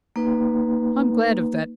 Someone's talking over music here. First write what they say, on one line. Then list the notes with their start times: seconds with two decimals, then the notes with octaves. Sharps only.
'I'm glad of that.
0.16 A#3 D#4 B4